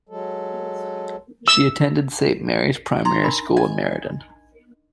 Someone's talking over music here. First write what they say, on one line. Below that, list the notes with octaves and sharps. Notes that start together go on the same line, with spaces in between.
She attended Saint Mary's Primary School in Merredin.
F#3 G#3 A4
E6
D#4 A#5 C6
D4 A#4 B5
D#5 G#5